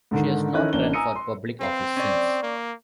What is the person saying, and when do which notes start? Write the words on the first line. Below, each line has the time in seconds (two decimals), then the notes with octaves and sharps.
She has not run for public office since.
0.11 G#2 D3 D#3
0.53 D#3 C#4 E4 A4 D#5 F#6
0.73 A1 A#3 C#4 D4 G7
0.93 G#5 A#5 D#6 E6 C#7 D#7
1.16 C6
1.61 C4 B4 F5
1.96 C#4 D5
2.42 A#3